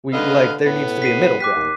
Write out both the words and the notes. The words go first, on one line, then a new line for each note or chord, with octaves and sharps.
We like, there needs to be a middle ground
D3 B4 D#5 F5
A2 B3
B6 C7 D#7
G4 D6 F#6 B6
D#2